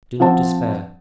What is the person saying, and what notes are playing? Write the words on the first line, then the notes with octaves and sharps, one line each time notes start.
Do not despair!
F3 C4 F#5 A5